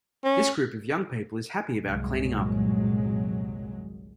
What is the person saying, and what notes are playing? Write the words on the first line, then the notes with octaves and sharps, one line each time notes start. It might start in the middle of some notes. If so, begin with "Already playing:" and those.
This group of young people is happy about cleaning up.
C#4
G1 C2 A#2 F#3 G#3